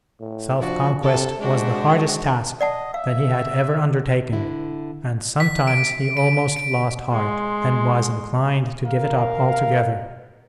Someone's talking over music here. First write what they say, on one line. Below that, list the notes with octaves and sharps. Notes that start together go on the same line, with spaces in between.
Self-conquest was the hardest task that he had ever undertaken, and sometimes he almost lost heart, and was inclined to give it up altogether.
A2
F3 D4 F#4
C3 A4
G#3 D4 F#4 C5
D5 D#5 F#5 A5
E5 F5
D3 E4
B6
D7
D7
D7
G#3 C6
A#4 F5